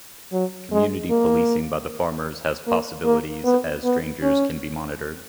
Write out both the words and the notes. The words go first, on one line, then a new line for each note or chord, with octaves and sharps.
Community policing by the farmers has possibilities as strangers can be monitored.
F#3
G#3
A#3
A#3
A#3
B3
B3
C#4